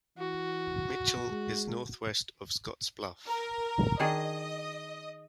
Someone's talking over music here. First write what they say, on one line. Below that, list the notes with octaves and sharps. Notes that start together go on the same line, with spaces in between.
Mitchell is northwest of Scottsbluff.
E3 F#4
G#3
A#4
D#3 D4 G#4 D#5